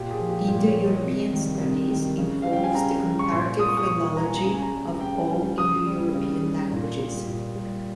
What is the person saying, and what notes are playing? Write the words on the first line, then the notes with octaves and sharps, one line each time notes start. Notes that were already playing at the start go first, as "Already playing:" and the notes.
Indo-European studies involves the comparative philology of all Indo-European languages.
Already playing: A#2 G4
G#4
F3
G4
A#2 G4
C#5
F3
D#5
C3
D#3 G3
C3 D#5
D#3 G3
C#3
G3 F5
G5
G#5
C#3 A#5
G3
C#6
A#2 C6
G3 D#6
C#6
D#6
A#2 C#6
G3 A#5
G#5
A#5
C#3 A#5
G#5
A#5
G3
C#3 G5
G3
C#3 D#6
G3
C#3
G3
A#2
G3
A#2
G3